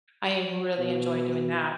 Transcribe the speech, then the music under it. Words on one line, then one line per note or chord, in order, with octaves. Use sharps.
I really enjoy doing that,
B2